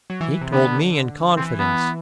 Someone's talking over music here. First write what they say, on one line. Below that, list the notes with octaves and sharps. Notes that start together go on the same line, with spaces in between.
"He told me in confidence."
F#3
E3
E3
C3
D3 B3
E3 C4
B3